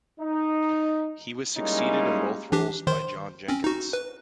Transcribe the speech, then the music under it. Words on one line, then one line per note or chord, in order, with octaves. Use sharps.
He was succeeded in both roles by John Jenkins.
D#4
G3 G#3 A#3 C#4 D#4 E4
E3 D4 G4
D#3 C5 C6
C4 C#4
D#4 F#4
B4